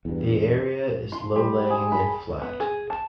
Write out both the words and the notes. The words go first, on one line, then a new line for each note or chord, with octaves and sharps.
The area is low laying and flat.
E2 G2
C6
G3
G#4
B5
B3
G#4
A5